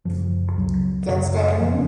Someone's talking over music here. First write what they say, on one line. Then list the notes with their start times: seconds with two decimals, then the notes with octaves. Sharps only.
Just tell me.
0.05 F#2 C#3 F3
0.57 C#2 C#3 F#3
1.08 F#2 C#3
1.60 F2 C#3 F3